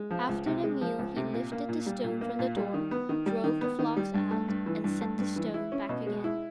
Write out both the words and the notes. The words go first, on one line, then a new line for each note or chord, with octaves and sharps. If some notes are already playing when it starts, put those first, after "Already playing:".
After the meal, he lifted the stone from the door, drove the flocks out, and set the stone back again.
Already playing: G#3
F3
C#2
C3
G#3
F3
C#2
C3
A#2
A#3
A#2
G3
A#2
A#3
A#2
G3
D#3
B3
D#3
G3
D#3
B3
D#3
G3
G2
A3
G2
E3
G2
A3
G2
E3
E4
C#4
B2
G#3
E4